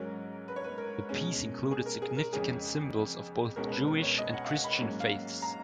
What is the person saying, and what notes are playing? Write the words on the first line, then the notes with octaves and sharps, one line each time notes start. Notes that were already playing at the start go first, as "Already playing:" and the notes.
The piece included significant symbols of both Jewish and Christian faiths.
Already playing: G#2 F#3 C#4 A#4
B4
C#5
B4
A#4
B2 G#3 C#4
G#4
A#4
G#4
A#4
F2 C#3 G#3 C#4 G#4
C#2 B2 G#3 C#4 A#4
B4
A#4
C#5
D#5
F#5
F5
F#5
B5
G#2 F#3 A#3 C#4
F5
A#5